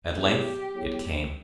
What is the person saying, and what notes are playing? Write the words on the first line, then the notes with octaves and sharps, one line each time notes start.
At length it came.
F#3 B3 E4 G4 G#4 C#5
F#3 B3 E4 G#4 C#5